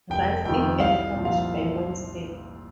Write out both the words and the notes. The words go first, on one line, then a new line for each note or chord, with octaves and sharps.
Rice Inc and published by Mindscape.
F1 G5
F2 D#3 G5
C2 F5
A#2 F3
F5